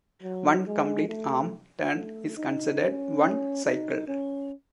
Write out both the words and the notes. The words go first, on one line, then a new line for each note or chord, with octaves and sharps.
One complete arm turn is considered one cycle.
F#3
G#3
A3
A3
D#4
C#4
D#4
C#4